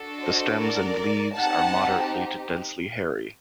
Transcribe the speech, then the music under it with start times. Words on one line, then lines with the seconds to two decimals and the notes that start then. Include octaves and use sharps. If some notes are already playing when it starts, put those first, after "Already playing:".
The stems and leaves are moderately to densely hairy.
Already playing: D4 F#4 A4
0.22 C5 D#5
0.60 A#4 D5
1.35 C4 D#4 G4 F#5 A5